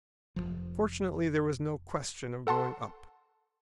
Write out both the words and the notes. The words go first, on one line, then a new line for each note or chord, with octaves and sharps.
But fortunately there was no question of going up.
F1 C2 F3
A4 F#5 A5 C6